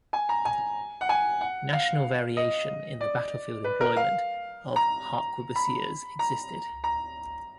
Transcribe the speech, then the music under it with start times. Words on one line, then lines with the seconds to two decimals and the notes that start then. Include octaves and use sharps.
National variation in the battlefield employment of harquebusiers existed.
0.13 G#5
0.29 A#5
0.45 G#5
1.01 F#5
1.09 G#5
1.41 F#5
1.73 F5
2.37 D#5
3.01 D5
3.64 B4
3.81 A#4
3.96 F5
4.76 A#5
5.56 B5
6.19 A#5
6.84 A#5